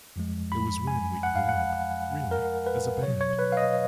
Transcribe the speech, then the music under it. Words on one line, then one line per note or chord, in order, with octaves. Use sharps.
It was when we grew up, really, as a band.
F2 F3 G#3
B5
G#5
F#5
F5
F#5
A#4
B4
B2 F#3 C#5
C#5
B4
F5
D#5